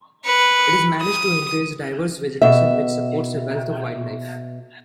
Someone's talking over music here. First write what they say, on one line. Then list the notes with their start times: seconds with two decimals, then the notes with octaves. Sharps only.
It is managed to encourage diverse vegetation which supports a wealth of wildlife.
0.25 B4 C#7
1.01 D#6
2.42 B2 E5